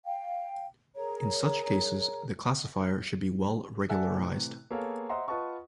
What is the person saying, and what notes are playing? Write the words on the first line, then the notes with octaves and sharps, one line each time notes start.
In such cases, the classifier should be well-regularized.
F5 G5
G#4 A#4 C#5 A#5
A4 D5 E5 F#5 G#5 F#6
A2 C3 E3
A#3 B3 G#4 A4 C#5 F5
C5 D#5 E5 F#5 A#5 C6
F4 B4 D#5 F#5 A5 C#6